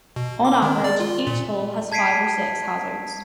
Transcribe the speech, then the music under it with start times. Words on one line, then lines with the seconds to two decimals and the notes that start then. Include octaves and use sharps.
On average, each hole has five or six hazards.
0.16 B2
0.45 D6
0.62 D#3
0.84 D5
1.00 F4
1.27 A#2
1.92 A5 G#6 B6 C7 D7 D#7